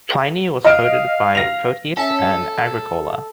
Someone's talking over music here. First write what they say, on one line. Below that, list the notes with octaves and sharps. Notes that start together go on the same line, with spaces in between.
Pliny was quoted by Photius and Agricola.
D#5 F5 F6 D7
A#6 F7
C#4 A4 E5